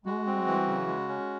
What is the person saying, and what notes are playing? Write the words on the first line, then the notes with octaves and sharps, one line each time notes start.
Oh my.
G#3 F#4
C4
E3
C#3
G#3
C#4